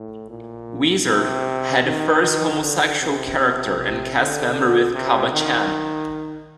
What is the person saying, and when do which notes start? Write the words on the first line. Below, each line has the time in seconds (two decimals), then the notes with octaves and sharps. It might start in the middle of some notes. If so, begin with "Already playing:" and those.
"Wizard" had the first homosexual character and cast member with Kaba-chan.
Already playing: A2
0.30 A#2
1.08 C3
1.85 D#3
2.24 D#3
2.62 D3
3.01 C3
3.40 C3
3.78 C3
4.17 D3
4.94 C3
5.33 D#3